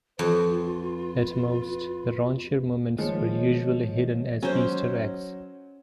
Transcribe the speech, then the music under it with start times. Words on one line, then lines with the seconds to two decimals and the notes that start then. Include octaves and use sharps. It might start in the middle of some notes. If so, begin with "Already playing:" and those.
At most, the raunchier moments were usually hidden as Easter eggs.
0.19 F2 F4 B4
2.98 D#3 F3 G#3 A#3 C#5 D#5
4.43 F#3 C#4 C5